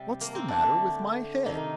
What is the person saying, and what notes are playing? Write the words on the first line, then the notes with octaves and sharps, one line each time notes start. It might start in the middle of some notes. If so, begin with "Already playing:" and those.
What's the matter with my head?
Already playing: C3 G3 G4
A#3
C4
D4
D3 A3
C3 D#3 A#3 D#4